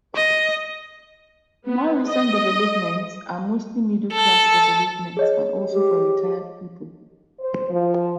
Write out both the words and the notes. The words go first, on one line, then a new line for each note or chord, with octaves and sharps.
More recent developments are mostly middle-class developments, and also for retired people.
D#5
B3
D#5
A4
G#4 C#5 D#5
G4
C5
F3